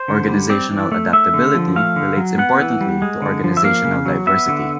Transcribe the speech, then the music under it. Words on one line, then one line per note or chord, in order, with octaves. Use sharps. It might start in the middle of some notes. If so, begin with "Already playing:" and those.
Organizational adaptability relates importantly to organizational diversity.
Already playing: C5
D3
G3
C4 D5
E3
A3
A3 E5
D3
F3
A3 F5
D3
F#3
B3 F#5
E3
G3
G#3
D3
F3
E5
A#3 F5
C#3
F#3
B3 E5
D3